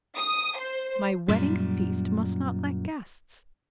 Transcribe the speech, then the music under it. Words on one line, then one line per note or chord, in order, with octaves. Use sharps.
My wedding feast must not lack guests.
D#6
C5
F#2 A#2 G3